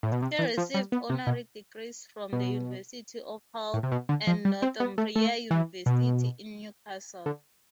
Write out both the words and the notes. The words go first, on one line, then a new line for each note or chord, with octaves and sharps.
He received honorary degrees from the University of Hull and Northumbria University in Newcastle.
A2
B2
C3
E3
F3
G3
B3
C3
B2
B2
A2
C3
B2
D3
F3
G3
C4
B3
A3
A3
E3
B2
D3